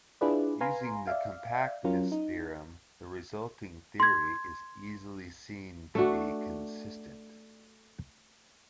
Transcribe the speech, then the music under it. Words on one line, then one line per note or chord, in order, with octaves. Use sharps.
Using the compactness theorem, the resulting theory is easily seen to be consistent.
D4 E4 F4 G#4 B4 D5
B4 F5 G#5 A#5 C6
D5 E5 F5
F#3 C#4 F4 A#4
D#4
C6 G#6
A3 D4 F#4